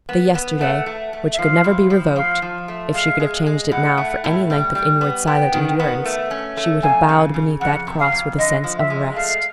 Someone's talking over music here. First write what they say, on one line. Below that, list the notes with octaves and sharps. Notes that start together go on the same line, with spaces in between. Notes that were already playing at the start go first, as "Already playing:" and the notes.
The yesterday, which could never be revoked,--if she could have changed it now for any length of inward silent endurance, she would have bowed beneath that cross with a sense of rest.
B3
B3
A3 F#5
A3
A3
E5
F3 F5
A2
F3
F3 F5
F3
A3
G#3 F5
G#3
G#3
A2 F#5
A3
A2
G3
G3
B3
B3 G5
D#3
B3
A3
C#4
A3
F2 G#5
C#3
C#3
F2 F#5
C3
F5
F2
D3 D#5
F3
E5
G#3
A3 F5